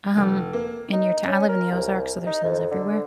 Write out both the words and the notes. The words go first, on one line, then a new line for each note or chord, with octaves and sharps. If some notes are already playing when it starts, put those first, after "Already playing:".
um, in your tow I live in the Ozarks, so there's hills everywhere.
F1
A#3
D#4
C#4
A#4
C2
D#4
F2
D3